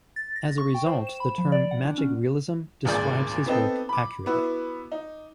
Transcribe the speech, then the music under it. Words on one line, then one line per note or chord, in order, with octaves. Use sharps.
As a result, the term "Magic Realism" describes his work accurately.
A6
A#6
C#6
G5
C5
E7
B5
F3
D5
F#5
D4
C#4
D#1 G#1 D2 G#4 D5 G6
B3 C4 D#4 A4
B5 D6
B3 E4 F#4
D#4